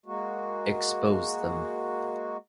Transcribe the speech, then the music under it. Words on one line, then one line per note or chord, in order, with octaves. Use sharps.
Expose them.
G#3 A#3 F#4